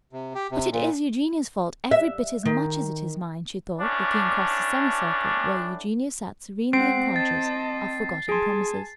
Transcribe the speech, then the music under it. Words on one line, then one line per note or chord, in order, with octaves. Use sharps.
"But it is Eugenia's fault every bit as much as it is mine," she thought, looking across the semicircle, where Eugenia sat serenely unconscious of forgotten promises.
C3
G4
C3
A#2
E5
D#3
A2 C#4 D4
G#3 C4 F#5 C7 D7
D#5 A5 A6
G#4 G#5 A5 C6